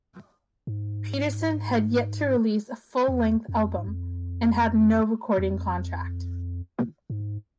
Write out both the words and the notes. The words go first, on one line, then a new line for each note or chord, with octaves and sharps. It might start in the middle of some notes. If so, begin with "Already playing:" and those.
Peterson had yet to release a full-length album, and had no recording contract.
G#2
E2
F2
G#2
F2
E2
F2
G#2